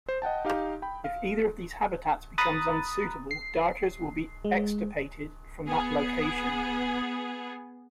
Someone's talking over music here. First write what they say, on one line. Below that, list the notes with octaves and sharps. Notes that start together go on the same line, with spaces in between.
If either of these habitats becomes unsuitable, darters will be extirpated from that location.
C5
D#5 F#5 G5 A5
D#4 G4 F5
G5 B5
F5
A#5 B5 D#6 F#6 A6
C7
G#3
B3 G#4